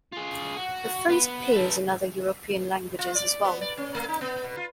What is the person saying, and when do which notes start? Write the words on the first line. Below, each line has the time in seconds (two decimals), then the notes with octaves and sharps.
The phrase appears in other European languages as well.
0.12 F4 G#4
0.56 F#4
1.09 B4 F#5
1.52 A4 B4
2.99 F4
3.15 D5
3.44 B3
3.61 D5
3.77 C#4
3.95 A3
4.09 D#4
4.21 B3
4.44 B2
4.57 F4